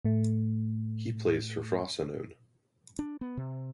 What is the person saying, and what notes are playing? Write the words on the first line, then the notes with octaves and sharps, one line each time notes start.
He plays for Frosinone.
A2 A3
D4
B3
C3